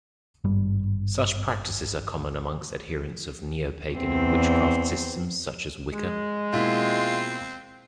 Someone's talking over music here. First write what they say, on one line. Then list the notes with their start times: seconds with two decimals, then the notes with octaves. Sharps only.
Such practices are common amongst adherents of neopagan and witchcraft systems such as Wicca.
0.44 G#1 G2 G3
3.93 E2 C4
5.92 G#3
6.53 B2 A#3 C4 E4 F4